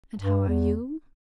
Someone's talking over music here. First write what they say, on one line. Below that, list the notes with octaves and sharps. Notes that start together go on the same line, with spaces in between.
And how are you?
G2
E2